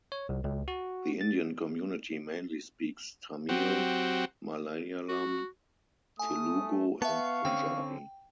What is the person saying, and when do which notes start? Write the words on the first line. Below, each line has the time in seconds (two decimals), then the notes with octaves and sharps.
The Indian community mainly speaks Tamil, Malayalam, Telugu and Punjabi.
0.12 C#5
0.29 C2
0.44 C#2
0.68 F#4
1.21 A6
3.49 F#3 C4 F#4 G4
5.08 F#4
6.19 A3 G#5 D#6
7.02 B3 E5 F5 A5 C#6
7.45 D3 C4 C#4 G5